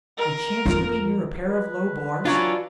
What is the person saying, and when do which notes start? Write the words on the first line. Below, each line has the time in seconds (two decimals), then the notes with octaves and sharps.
We chanced to be near a pair of low bars.
0.18 A#4
0.66 F2 F3
1.48 B4
2.25 E3 F#3 D4 F4